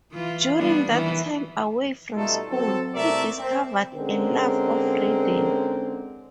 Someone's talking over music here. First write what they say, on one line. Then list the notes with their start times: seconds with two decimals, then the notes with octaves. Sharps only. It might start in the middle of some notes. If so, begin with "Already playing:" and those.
During that time away from school, he discovered a love of reading.
0.12 E3 F4
0.58 G3 B3 D4
0.90 D#3 E3 B3
2.15 B2 G3 A3 D#4 F4 A4
2.51 F#3 C4 A4
2.95 C2 C3 A3 A#4 D5 E5
3.37 C4
3.96 D3 G#3 C4 C#4 A#4